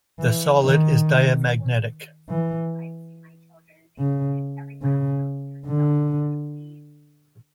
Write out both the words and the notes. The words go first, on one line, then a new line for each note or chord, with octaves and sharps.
The solid is diamagnetic.
E3
D#3
E3
C#3
C#3
D3